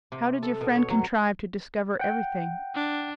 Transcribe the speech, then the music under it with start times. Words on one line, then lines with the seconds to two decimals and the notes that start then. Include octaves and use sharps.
How did your friend contrive to discover everything?
0.12 C3
0.43 A4
0.61 B2
0.76 C#5
0.90 F#3
1.99 F#5 G5
2.75 D4